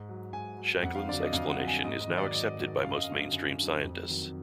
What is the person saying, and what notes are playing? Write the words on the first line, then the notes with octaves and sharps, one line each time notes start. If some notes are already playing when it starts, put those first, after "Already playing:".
Shankland's explanation is now accepted by most mainstream scientists.
Already playing: G#2
F#3
G#2 G#5
F#3
F2 F#5
F5
D3 F#3 D5
D#5
F2 F5
F#5
D3 F#3
G#5
G#2 D#5
D#5
D#3 F#3
D5
G#2 D#5
D#3 F#3
F#2 F5
D#5
F5
D3 F#3
F#2
D3 F#3
F2
D#3 F#3